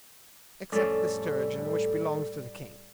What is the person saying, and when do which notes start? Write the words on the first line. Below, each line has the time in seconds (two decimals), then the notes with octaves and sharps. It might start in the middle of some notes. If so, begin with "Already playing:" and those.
"Except the sturgeon, which belongs to the king."
0.72 F2 A2 G3 A3 C#4 A4 D5